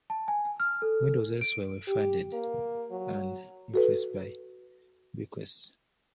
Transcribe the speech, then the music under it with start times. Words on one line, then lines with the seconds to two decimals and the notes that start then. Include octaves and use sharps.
Windows elsewhere were funded and influenced by bequests.
0.10 A5
0.28 G#5
0.60 F6
0.82 A4
1.41 D7
1.87 G4
2.33 A#3
2.91 F#3
3.74 F#4 A4 B4